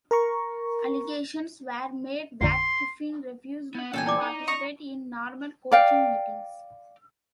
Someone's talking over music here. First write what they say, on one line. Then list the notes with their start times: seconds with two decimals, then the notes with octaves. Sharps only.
Allegations were made that Kiffin refused to participate in normal coaching meetings.
0.11 A#4 A#5 C#6
2.41 A1 F2 D3 C6
3.75 B3 F#5
3.94 E2 A#2 A4 G5 G#5
4.06 E4 D5 D6
4.22 D#4
4.48 A#5 C#6 D#6
5.72 D5 F5 G5